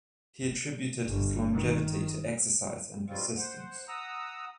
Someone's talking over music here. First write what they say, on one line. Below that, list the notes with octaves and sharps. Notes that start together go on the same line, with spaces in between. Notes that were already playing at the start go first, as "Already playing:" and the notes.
He attributed his longevity to exercise and persistence.
G1
D#3
G2 B2 G3 C4 F4
C5 F#5
F#5 A#5 D#6 E6